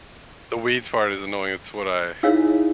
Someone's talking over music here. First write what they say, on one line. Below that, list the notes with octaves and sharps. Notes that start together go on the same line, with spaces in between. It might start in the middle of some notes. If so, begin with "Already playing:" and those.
the weeds part is annoying. It's what I
D#4 E4 G#4 C#5 F5 E6